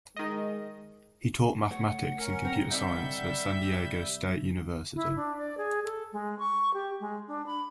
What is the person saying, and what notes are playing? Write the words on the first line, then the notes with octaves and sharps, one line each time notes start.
He taught mathematics and computer science at San Diego State University.
D#3 G#3 D#5
A3 C#5 F#5
C#4 A#4
C4 A#5
C2 C3 D#3 G3 E5 G6
E4
D4
D5
G#4
A4
G#3
C#6
G4
G#3
D4
B5